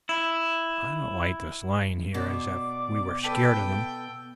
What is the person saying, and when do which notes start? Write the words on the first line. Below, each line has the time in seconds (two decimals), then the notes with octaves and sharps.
"I don't like this lying here as if we were scared of them."
0.09 E4
2.14 B2 D5
3.24 A4 B4 G5